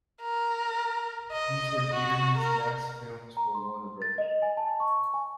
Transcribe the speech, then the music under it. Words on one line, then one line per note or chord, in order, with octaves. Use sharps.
These were Dieterle's last films for Warner Brothers.
A#4
D#5
F#4
A#4
A#5
C6
A6
D#5
G#5
A5
C#6
G#5